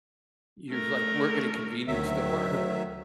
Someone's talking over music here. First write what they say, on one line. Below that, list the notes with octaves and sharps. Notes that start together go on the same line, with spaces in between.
you, like, work in a convenience store,
A3 A#4
D2 D#3 F#3 E5